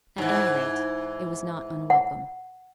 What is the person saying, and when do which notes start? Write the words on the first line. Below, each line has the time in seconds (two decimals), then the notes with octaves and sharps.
At any rate, it was not unwelcome.
0.18 G#2 E3
1.90 F#5